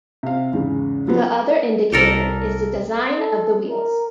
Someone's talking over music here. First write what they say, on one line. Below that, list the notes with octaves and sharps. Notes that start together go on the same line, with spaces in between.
The other indicator is the design of the wheels.
C3 F5
E2 G#2 C#3
F3 F#3 B3
C2 G4 A4 A#4
A4
A#4